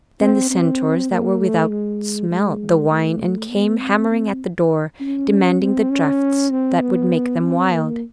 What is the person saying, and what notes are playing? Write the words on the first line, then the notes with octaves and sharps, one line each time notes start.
Then the centaurs that were without smelt the wine and came hammering at the door, demanding the drafts that would make them wild.
C4
C4
A#3
A3
G#3
G#3
A3
B3
C4
C4
C#4
C4
C#4
C4
B3
C4
A#3